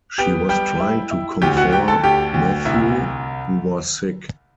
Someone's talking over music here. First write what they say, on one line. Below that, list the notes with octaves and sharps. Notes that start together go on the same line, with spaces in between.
She was trying to comfort Mathieu, who was sick.
B3 G4 G5
G3 G4 G5
E4
E4
D2 G4 G5
F#4 F#5
D2 G4 G5
A4 A5
D2 G4 G5
D2
C2 E4 E5